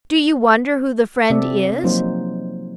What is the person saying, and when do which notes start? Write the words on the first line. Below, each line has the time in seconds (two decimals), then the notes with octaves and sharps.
Do you wonder who the friend is?
1.30 C3 C4 A4 D5 E5
1.84 F3 F#3 A#3 C4 D#4 C5